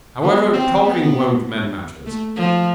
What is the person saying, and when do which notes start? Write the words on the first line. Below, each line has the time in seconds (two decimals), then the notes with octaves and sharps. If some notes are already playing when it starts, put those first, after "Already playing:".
'However, talking won't mend matters.
0.23 B3
0.54 C4
0.84 B3
2.06 A3
2.36 F3